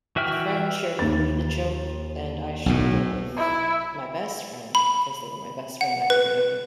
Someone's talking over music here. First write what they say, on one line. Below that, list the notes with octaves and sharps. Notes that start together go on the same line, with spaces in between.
a friend shared with me the joke, and I shared it with my best friend- because they were my best friend I figured I could
E3 F#4 E5 G5 F6
D#2 A6
B1 A2
E4
B5
F#5
B4